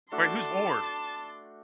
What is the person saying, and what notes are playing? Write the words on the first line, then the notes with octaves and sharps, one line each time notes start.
Wait, who's Ward?
A3 D4 F#4 D5 A5 C6